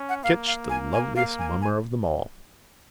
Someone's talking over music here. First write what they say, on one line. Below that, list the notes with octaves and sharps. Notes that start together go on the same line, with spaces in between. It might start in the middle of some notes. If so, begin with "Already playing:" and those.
Kinch, the loveliest mummer of them all!
Already playing: C#4
F#5
A#3 F5
F5
G#5
G#5
A#3 F5
G#5
G#5